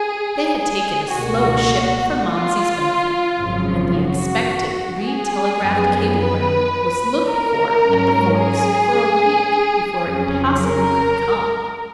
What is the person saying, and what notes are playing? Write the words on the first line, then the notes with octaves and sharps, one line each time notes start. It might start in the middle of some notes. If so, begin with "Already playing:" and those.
They had taken a slow ship for Momsey's benefit and the expected re-telegraphed cablegram was looked for at the Forks for a week before it possibly could come.
Already playing: G#4
G#4
C#2 B2 A#3 F#4
F4
G#1 F#2 C#3 F3
F#4
G#4
F#2 F3 B3
B4
A#4
G#2 F#3 C#4
G#4
F2 C#3 F#3 C#4
A#4